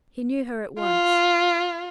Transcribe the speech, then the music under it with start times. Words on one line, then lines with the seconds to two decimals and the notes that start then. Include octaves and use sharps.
He knew her at once.
0.80 F4